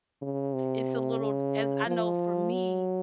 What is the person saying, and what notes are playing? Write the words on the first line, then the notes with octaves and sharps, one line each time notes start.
it's a little as I know for me,
C#3
C3
C#3
F3
F#3